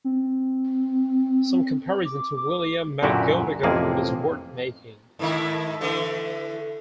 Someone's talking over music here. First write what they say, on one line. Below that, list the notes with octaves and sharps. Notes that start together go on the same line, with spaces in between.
Some comparison to William McGonagall is worth making.
C4
D6
D6
F#2 A#2 D3 E4 F#4 G4
A1 F2 C3 A#3 G#4
G#2 D#3 E4
D3 E3 A3